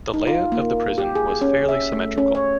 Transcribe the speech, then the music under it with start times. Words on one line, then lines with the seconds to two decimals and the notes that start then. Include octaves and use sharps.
The layout of the prison was fairly symmetrical.
0.14 D#4
0.27 F4
0.52 A#3
0.98 G4
1.15 G#4
1.41 C#4
1.69 E5
1.93 A3
2.18 C#4
2.35 C#5